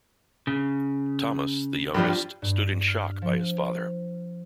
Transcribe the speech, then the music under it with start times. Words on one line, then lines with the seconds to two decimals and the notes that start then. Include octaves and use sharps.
Thomas, the youngest, stood in shock by his father.
0.47 C#3
1.94 G2 F3 G3
2.42 G2
2.88 F6
3.22 F3